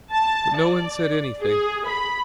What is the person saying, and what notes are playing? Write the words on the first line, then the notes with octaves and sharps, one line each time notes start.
But no one said anything.
A5
D5
G#4
B5